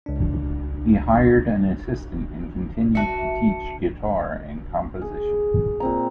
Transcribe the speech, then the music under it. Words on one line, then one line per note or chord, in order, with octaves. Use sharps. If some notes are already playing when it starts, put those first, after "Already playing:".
He hired an assistant and continued to teach guitar and composition.
C#2 D4
F#4 E5 A5 C#7
G#4
A#2 C4 A#5